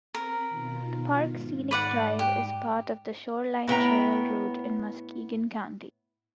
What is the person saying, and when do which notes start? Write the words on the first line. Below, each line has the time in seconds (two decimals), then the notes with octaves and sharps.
The park's Scenic Drive is part of the Shoreline Trail route in Muskegon County.
0.15 C4 A#4 B5
0.50 B2 D#3 F4
1.31 G#2
1.71 B4 D5 F#5
2.19 G4
3.67 A2 B3 G5 A#5